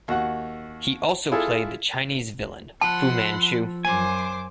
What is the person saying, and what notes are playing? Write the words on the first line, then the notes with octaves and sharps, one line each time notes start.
He also played the Chinese villain Fu Manchu.
D#2 F#4 F#5
E4 F4 G#4 A4
F3 A4 F#5 A5 B5 C6
F#2 C5 G#5 D6